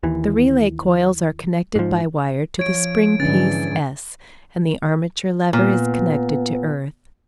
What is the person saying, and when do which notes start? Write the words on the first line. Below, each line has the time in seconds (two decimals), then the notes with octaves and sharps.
The relay coils are connected by wire to the spring piece, S, and the armature lever is connected to earth.
0.03 D#2 E3
1.76 G#2 F3
2.59 F3 C#5 G#6 D7
3.20 G#2 D3 E3 F3 C#4 D4 A6
5.53 A#2 B3